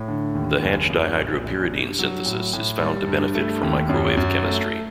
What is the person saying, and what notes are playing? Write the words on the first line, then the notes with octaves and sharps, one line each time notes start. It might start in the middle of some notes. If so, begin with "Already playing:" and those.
The Hantzsch dihydropyridine synthesis is found to benefit from microwave chemistry.
Already playing: A2
D3
D#2
F#1
F#2
A#1
A#1
G2
F#3
A2
A2
G3
G2
A3
D#2
F#2
F#2
A3